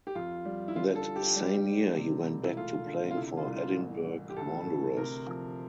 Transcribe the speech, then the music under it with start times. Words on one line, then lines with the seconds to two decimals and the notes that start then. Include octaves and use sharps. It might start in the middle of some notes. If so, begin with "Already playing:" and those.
That same year he went back to playing for Edinburgh Wanderers.
0.07 G4
0.15 F2 F4
0.45 G3
0.68 E4
0.76 D3 F4
0.95 A4
1.06 D3
1.16 G4
1.36 G3
1.66 G3
1.97 C3
2.26 E1
2.45 E4
2.57 A3 F4
2.86 D3
3.11 F4
3.16 C3 E4
3.37 F4
3.47 C2
3.56 F4
3.77 A1
4.07 E3
4.30 G4
4.37 D2 A4
4.67 D2
4.97 C3 A#4
5.27 F3